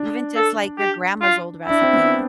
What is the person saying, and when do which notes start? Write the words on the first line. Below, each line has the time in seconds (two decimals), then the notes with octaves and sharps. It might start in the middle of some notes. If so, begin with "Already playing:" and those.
Even just, like, your grandma's old recipe.
Already playing: D4
0.36 A4
0.78 G4
1.22 F4
1.65 E4
1.70 D4
1.81 C4
1.93 B3